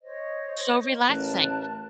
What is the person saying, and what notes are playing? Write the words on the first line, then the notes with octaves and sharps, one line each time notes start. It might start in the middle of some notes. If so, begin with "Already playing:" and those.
so relaxing.
C5 C#5 D#5
A1 A#4 A5 F#6